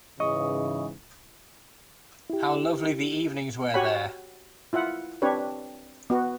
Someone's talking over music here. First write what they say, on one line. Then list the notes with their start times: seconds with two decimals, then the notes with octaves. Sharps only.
How lovely the evenings were there!
0.20 G#2 C#3 E3 D#5 C#6 D#6
2.30 E4 G4
3.74 F#4 G4 C#5 F#5 G#5 B5
4.73 E4 F4 E5 F#5
5.22 C4 D4 G4 B4 C#5
6.10 B3 F#4